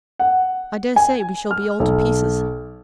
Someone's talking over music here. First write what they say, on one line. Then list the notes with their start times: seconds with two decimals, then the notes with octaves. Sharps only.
I dare say, we shall be all to pieces.
0.19 F#5
0.96 G#5
1.51 F6
1.80 B1